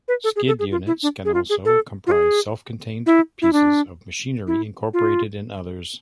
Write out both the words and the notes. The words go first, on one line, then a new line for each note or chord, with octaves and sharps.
Skid units can also comprise self-contained pieces of machinery incorporated in others.
B4
A4
G#4
A4
G#4
F4
E4
D4
G#4
F4
G#4
A4
F4
G#4
E4
E4
D4
E4
F4